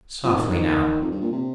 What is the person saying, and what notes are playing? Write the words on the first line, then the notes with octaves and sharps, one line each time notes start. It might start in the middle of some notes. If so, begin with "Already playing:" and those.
Softly now.
F3
C3
D#3
D#3
F2
G2
A#2
C3